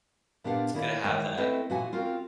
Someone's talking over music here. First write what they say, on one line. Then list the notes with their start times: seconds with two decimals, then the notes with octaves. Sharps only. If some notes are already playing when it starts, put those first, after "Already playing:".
It's good to have that.
0.44 A#2 B3 D4 G4 F5 F#5
0.74 D#3 A#3 E4 C#5
1.04 D#3 E3 G#3 C#5 F#5 G5
1.37 A3 C4 E4 A4 B4 D#5
1.70 A#2 E3 F#4 F#5 G#5
1.92 C4 F4 F#4 A#4